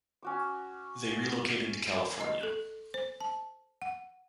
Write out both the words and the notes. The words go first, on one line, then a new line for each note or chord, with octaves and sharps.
They relocated to California.
C#4 F#4 D6
D#5
A4
C5
A5
F#5